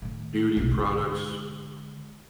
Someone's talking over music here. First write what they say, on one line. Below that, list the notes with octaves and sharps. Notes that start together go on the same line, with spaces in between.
beauty products,
A2 D#3
B1 B2
D3 G#3